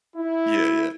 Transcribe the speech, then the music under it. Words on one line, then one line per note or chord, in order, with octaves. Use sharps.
Yeah, yeah.
E4